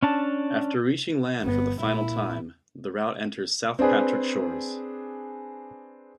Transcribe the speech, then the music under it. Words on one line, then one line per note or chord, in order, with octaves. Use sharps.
After reaching land for the final time, the route enters South Patrick Shores.
C#4 D4 A5
G1 B3
A#2 E4
C4 D4 G#4 B4